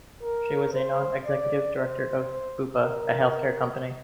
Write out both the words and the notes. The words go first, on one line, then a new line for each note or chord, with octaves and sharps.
She was a non-executive director of Bupa, a healthcare company.
A#4
C5
D5
C5
A#4